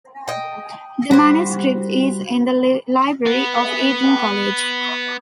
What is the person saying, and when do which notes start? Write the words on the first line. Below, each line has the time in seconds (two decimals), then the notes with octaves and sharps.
The manuscript is in the library of Eton College.
0.28 D#5 G5
1.11 G3 F#4 C5 B5 D6
3.26 B3 B4